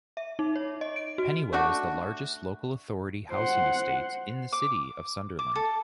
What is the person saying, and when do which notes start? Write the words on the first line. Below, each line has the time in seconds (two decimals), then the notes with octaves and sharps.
Pennywell is the largest local authority housing estate in the City of Sunderland.
0.17 E5
0.39 D#4
0.56 C#5
0.81 D#5
0.96 D7
1.18 F#4
1.53 A3 D4 F#4
3.32 C5 F#5
4.52 D6
5.39 D6
5.55 A4